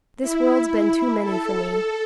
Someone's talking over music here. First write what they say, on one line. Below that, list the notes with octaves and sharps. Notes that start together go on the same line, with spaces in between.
This world's been too many for me.
E4
A4
A4